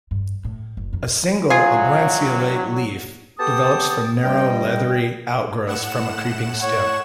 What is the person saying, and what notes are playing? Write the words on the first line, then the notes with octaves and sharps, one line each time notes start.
A single oblanceolate leaf develops from narrow, leathery outgrowths from a creeping stem.
G2
A2
F#1
F2
C#3
A2 D3 F#3 F4 G#4
B3 G4 A4 G5 A5 D#6
G2 G3 D#5 G5
A2 F#5 E7
C#5